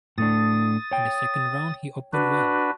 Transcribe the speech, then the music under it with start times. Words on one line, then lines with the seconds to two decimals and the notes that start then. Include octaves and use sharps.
In the second round he opened well.
0.18 A2 A3 D4 D#6 A6
0.91 C#5 G5
2.13 D4 F#4 B4